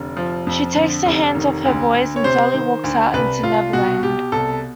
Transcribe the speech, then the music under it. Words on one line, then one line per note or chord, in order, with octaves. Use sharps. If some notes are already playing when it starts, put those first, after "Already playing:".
She takes the hands of her boys and slowly walks out into Neverland.
Already playing: F1 D3
F3
F2
D3
F1
D#3
D2
D2
C#5
C3 C5
D#3
D2
C2 B4
C2 F4
B2 F#4
B2 G4
C2 A4